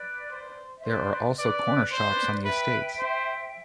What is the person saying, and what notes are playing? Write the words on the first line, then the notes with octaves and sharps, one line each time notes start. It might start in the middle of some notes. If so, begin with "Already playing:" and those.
There are also corner shops on the estates.
Already playing: B4 D5
C5
E5
B4 C5 D5
B4 D5
B4
C5 D5
E5
B4 D5
B4 E5 G5
C5